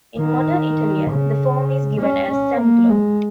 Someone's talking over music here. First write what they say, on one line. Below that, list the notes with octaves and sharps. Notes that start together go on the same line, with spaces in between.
In modern Italian, the form is given as Zanclo.
D#3
C#3
C#4
C#4
A#3
G#3